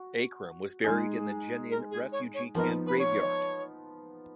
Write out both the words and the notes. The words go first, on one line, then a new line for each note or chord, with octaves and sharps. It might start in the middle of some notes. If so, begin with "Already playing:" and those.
Akram was buried in the Jenin refugee camp graveyard.
Already playing: F#4
G#3 D#4 G#4
A#4
G#4
C#5
C#5
F3 B3 D#4 A#4
B4
C#5